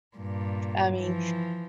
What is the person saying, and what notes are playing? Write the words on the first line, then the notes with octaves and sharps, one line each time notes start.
I mean,
G2 A#2
E3 F3